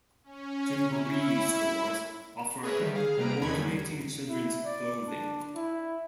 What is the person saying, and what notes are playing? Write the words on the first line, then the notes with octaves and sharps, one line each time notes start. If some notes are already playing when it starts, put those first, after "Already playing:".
Gymboree stores offer coordinating children's clothing.
C#4
E4
G#4 A#4 B4 C#5 E5
D3 D#3 G3 G4
G#4 F5
C3 G3 A#3 B4 A#5 D7
E2 C#4 D#4 B5 G#6
F#2 D3 D#3 G3
E4
D5
D4
E4